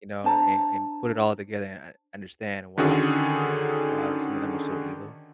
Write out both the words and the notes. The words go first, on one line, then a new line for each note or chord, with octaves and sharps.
you know, and and put it all together and and understand why you know, w why some of them are so evil,
D4 C5 A5 A#5
D3 D#3 C#4 F#4 G#4 A4